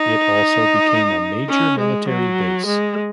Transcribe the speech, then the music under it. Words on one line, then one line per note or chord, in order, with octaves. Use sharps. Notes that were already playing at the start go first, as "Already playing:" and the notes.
It also became a major military base.
Already playing: D#4
C#4
G#3
F#3
G#3